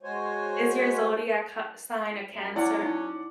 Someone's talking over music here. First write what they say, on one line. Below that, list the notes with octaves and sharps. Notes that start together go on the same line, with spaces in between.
Is your zodiac h sign a Cancer?
G#3 F#4 C5 C#5 G#5
F#2
F#3 C#4 E4 D5 F#5
D#4